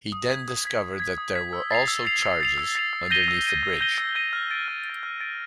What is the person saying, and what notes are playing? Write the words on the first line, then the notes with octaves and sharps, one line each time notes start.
He then discovered that there were also charges underneath the bridge.
D#6
G#6 B6
D#6
G#6 B6
D#6
G#6 B6
D#6
G#6 B6
E6
A6 C7 F7
E6
A6 C7 F7
E6
A6 C7 F7
E6
A6 C7 F7
E6
G6 A#6 D#7 G7
E6
G6 A#6 D#7 G7
E6
G6 A#6 D#7 G7
E6
G6 A#6 D#7 G7
F6
A6 D7
F6
A6 D7
F6
A6 D7